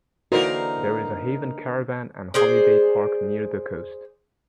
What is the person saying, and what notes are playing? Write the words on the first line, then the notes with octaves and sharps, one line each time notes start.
There is a Haven caravan and holiday park near the coast.
D3 E3 A#3 D#4 F#4 A#4 C5
G#4 C5 D5